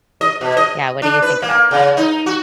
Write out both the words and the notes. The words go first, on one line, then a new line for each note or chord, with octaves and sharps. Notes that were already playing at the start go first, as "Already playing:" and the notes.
Yeah, what do you think about that?
D#5
B2
D#5
D4
B4
A#3
C#3
D#4
F#4